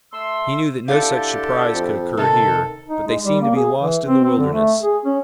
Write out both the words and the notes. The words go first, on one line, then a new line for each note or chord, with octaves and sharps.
He knew that no such surprise could occur here, but they seemed to be lost in the wilderness.
A3 C6 E6
D3 D4 E4 G4 A4 F5
F2
C3 D#3 A4
D#4
G#3
G3
A#3
G#4
E3
C4
C4
D3
A3
G#4
C#4